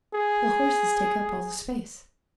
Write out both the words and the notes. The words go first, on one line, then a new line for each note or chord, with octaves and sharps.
"The horses take up all the space."
G#4